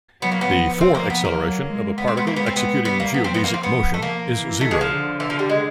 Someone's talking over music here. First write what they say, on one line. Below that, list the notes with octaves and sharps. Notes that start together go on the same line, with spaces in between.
The four-acceleration of a particle executing geodesic motion is zero.
F#3 B3
A#3
B3
F3
B3
C4
A#3
B3
A#3
F#3
G#3
G#3 B3
C4
B3
A#3
B3
C4
G#3 B3
G3 B3
A#3
F#3 B3
C4
B3
F3 A#3
C4
B3
A3
A#3
E3
D#3 A3
G#3
F3
D3
E3
F3
G3
G#3